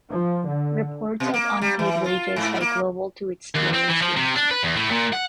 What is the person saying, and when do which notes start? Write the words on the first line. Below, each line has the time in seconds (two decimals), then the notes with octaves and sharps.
Reports of unpaid wages by Global to its players remained.
0.11 F3
0.47 D3
1.20 B2
1.34 A#3
1.61 G3
1.79 E3
2.06 F4
2.36 G#2
2.61 A#3
3.55 D#2
3.74 C4
3.89 E3
4.02 F3
4.17 C3
4.36 D4
4.51 B4
4.63 E2
4.76 A2
4.90 A#2
5.13 F#5